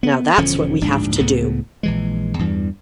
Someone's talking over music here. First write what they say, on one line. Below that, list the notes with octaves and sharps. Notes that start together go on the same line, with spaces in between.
Now that's what we have to do.
B3
E1 D3 F3 C#4
D1 A#1 G#2 D4
C#2 A2 C#3 B3
A#1 E3 G#3
E2 G2 E3 G3